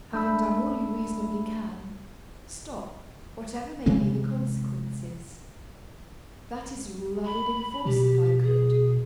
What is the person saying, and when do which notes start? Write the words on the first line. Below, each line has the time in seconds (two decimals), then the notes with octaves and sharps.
Having done all you reasonably can, stop, whatever may be the consequences. That is a rule I would enforce if I could.
0.13 A3 D4 B5 E6
3.86 C3 E3 G#3 C4
7.25 B5
7.85 B2 G4
8.43 G#4